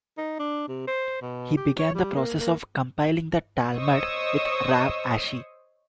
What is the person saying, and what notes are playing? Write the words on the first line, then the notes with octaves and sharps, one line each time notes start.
He began the process of compiling the Talmud with Rav Ashi.
D#4
D4
C3
C5
B2
G4
C#5
G3
A#3
A#3
C5 C#5 D#5 C#6 D#6 E6